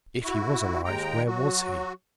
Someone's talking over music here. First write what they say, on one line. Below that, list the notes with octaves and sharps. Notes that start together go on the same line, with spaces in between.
If he was alive, where was he?
E4 F#4
D#2 G#3 G5 A#5
F#3 F#4